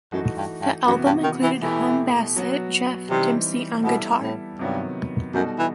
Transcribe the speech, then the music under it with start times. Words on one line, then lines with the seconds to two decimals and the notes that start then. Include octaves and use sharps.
The album included Hum bassist Jeff Dimpsey on guitar.
0.12 F#2 E3 A3 D#4 F#4
0.37 G2
0.62 G2
0.87 F#2 C3 E3 B3 F#4
1.05 G2
1.23 D#3
1.43 E3
1.61 B2 E3 A3 E4 G4
2.36 F#3 B3 F#4
3.10 C3 E3 G3 C4 D#4
3.84 B2 G3 B3 E4 A4
4.22 A2
4.59 G2 C3 D#3 F#3 B3 E4
5.34 F#2 B2 G3 D#4 F#4 A4
5.59 E3